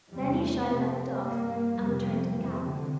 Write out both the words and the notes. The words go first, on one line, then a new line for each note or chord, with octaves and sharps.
Then he shouted at the dogs, and returned to the cabin.
E2 C3 G3
A3
F2 C3 C4
C4
G2 A#3
F2 C3 G3
F2 C3 E3
D3